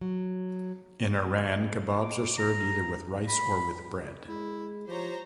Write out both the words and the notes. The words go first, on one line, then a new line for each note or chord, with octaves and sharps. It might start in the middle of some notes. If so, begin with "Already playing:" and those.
In Iran, kebabs are served either with rice or with bread.
F#3
D6
A#5
B5
G#3 E4
F3 G4 C5 C#5 A#5